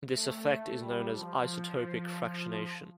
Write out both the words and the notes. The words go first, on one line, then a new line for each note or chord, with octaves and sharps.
This effect is known as isotopic fractionation.
A3
G3
F3